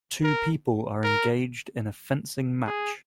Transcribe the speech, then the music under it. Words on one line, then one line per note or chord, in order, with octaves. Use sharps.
Two people are engaged in a fencing match.
A#4
A#4
G#4